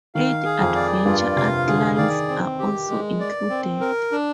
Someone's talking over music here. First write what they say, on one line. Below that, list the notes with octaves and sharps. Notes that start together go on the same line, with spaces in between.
Eight adventure outlines are also included.
D#3 F5
G#4
F2
D5
G2 F4
C3 F5
D3 G#4
D#3 D5
C4
G4
G#3
D5
C4
A#4
D4